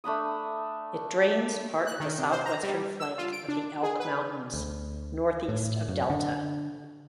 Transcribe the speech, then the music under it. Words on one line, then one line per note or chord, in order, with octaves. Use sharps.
It drains part of the southwestern flank of the Elk Mountains northeast of Delta.
A3 D4 B5 D#6
F#6
D#3
C3
C5
A#5
G3
E6
F4
D7
D4
G#4
B4
D2
A2
F#2
D3